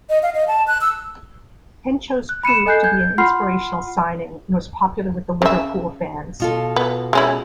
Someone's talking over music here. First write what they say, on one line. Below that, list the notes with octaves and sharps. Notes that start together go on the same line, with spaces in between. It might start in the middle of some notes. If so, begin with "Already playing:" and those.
Henchoz proved to be an inspirational signing and was popular with the Liverpool fans.
D#5
F5
D#5
A5
F#6
E6
F#6
B5 C#7 D#7 E7
A4 D#5 G#5 F#6 G6 C7
G6 G#6
F4 F#5 B5 C6 F6 C7
C#3 E5
B2 F4 A4
B3
G#3 C#4 E4